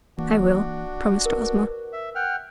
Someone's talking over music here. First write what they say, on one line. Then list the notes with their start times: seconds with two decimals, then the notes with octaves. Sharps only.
"I will," promised Ozma.
0.18 E3 A#3 D4 F#4
1.25 A#4 B4
1.93 E5
2.15 F#5 G5 F6